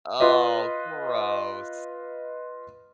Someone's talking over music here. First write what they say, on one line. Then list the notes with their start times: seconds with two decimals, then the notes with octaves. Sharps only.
Oh, gross.
0.20 F4 B4 D#5